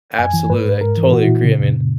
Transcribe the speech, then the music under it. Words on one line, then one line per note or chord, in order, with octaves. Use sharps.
Absolutely, I totally agree, I mean,
F#2 G#5
E3
G#2 B4
G#2
G#2 A#4
E3
A#2 F#4
E4
A#2
C#3
F#2